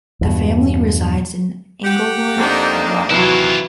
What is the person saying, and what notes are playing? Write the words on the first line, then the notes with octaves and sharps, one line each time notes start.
The family resides in Englewood, Colorado.
E2 G2 B2
G4 F#5
F2 A#3 D4 D#4
D#2 C3 E3 F#3 E4 F4